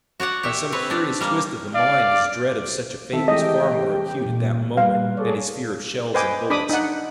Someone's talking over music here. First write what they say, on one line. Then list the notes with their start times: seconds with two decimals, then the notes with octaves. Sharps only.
By some curious twist of the mind his dread of such a fate was far more acute at that moment than his fear of shells and bullets.
0.20 F#4 C#5 D5 F#5
0.43 G4 E5
0.72 C4 B4 C#5
0.90 D4 D5
1.21 G3 A#3
1.74 D5 F5
3.13 D#3 C4 A4 E5
3.28 E3 G#3 A3 G4 D#5 G5
4.25 A#2
4.77 G3 A#3 B4 F5
5.17 G#4 A4 C#5 D5
6.14 B4 C5 D#5 G5 G#5 D6
6.50 D4 B5 D6 D#6
6.69 D#4 F#5